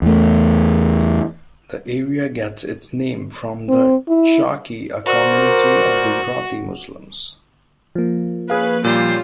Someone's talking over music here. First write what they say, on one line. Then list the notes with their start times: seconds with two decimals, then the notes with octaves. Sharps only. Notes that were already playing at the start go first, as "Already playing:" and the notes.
The area gets its name from the Chakee, a community of Gujarati Muslims.
0.02 E2 A3
3.69 C4
4.08 E4
5.06 F#4 A#4 C5 D5
7.95 F3 A#3
8.50 C#4 G#4 B4 F5
8.84 A#2 G3 C#4 F4 G4 C5